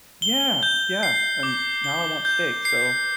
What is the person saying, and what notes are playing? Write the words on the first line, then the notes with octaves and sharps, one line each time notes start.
Yeah, yeah, and, now I want steak, so,
G7
G6
C7
D6
G7
G6
C7